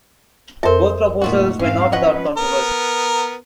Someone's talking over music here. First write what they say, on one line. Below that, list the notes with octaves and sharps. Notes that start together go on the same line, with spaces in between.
Both proposals were not without controversy.
F2 A4 A#4 C5 E5
A#2 D#3 A3 F4 F#4
G#2 C4 C#4 F5
F3 C#4 B4 C#5 D#5 F#5
B3 A#4